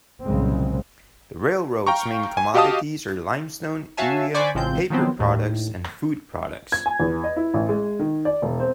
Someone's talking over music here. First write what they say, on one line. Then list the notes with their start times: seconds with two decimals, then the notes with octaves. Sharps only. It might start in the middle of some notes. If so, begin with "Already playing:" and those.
The railroad's main commodities are limestone, urea, paper products, and food products.
0.25 C2 A#2 C#3 F#3 G#3 C4
1.87 F5 G5 A#5 C#6
2.37 G#5
2.54 F#4 G4 D#5 F5 A5 D#6
3.97 F#4 C#5 E5 F5 G#5 A5
4.34 C5 D5 G#5 B5 C#6 D6
4.55 A1 C#3 F3 G#3 C4 G6
4.90 D#3 F3 F#3 B3 C4
5.19 D#2 A2
6.72 G#6
6.86 G#5
7.00 E2
7.24 D#5
7.36 E4
7.54 A1
7.69 G#3
7.99 D#3
8.25 D5
8.42 E1
8.60 C4